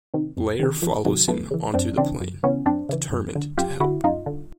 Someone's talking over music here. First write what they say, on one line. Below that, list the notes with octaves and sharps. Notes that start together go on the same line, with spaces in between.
Blair follows him onto the plane, determined to help.
C3 D#3
F2
C3 D#3
F2 F3
C3 D#3 F#3
F#2 A3 B3
C#3 E3
F#2 C4 D4
C#3 E3 C4 D4
F#2
C#3 E3 B3 C#4
F#2 C4 D4
C#3 E3
F#2
D3
F#2 F4 G4
D3 E4 F#4
F#2 D#4 F4
D3